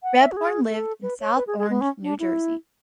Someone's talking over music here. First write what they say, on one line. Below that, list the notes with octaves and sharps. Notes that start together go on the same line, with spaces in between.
Rebhorn lived in South Orange, New Jersey.
F#5
E5
F#4
G#4
A4
B4
C#5
B4
G#4
G#4
B3
C#4
D4
E4